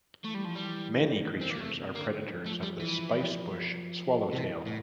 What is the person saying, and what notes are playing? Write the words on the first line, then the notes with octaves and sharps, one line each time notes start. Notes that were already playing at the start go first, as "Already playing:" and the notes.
Many creatures are predators of the spicebush swallowtail.
E3 A3
G3
F3
G3
C4
A#3
C3 A3
D3 A#3
F3
A3
G3
E3
C3 E3
A2